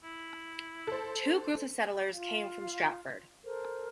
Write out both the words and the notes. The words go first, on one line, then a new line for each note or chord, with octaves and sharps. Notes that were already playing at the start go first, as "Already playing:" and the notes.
Two groups of settlers came from Stratford.
E4
A4 C5
F4 F5
A4 A#4 C5